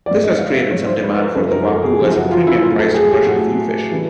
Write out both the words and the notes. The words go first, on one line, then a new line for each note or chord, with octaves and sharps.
This has created some demand for the wahoo as a premium-priced commercial food fish.
G#2 F3 D5
D#5
F5
E5
G#2 F3 C#5
C5
B4
A#4
F#2 C#3 F3 A4
A#4
A4
G#4
F#2 C#3 F3 G4
F#4
F4
E4
A2 F#3 F4
A4
G#4
G4
A2 F#3 F#4
C#3 E3 G3